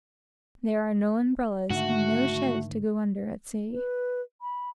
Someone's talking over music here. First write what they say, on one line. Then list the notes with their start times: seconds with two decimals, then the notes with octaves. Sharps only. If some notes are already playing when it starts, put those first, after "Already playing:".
There are no umbrellas, and no sheds to go under, at sea.
1.70 G#2 D3 D#3 A3 F#4
3.73 B4
4.42 B5